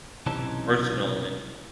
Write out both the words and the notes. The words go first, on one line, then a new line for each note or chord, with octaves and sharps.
personal and
B1 C3 E3 C#4 D#4 A5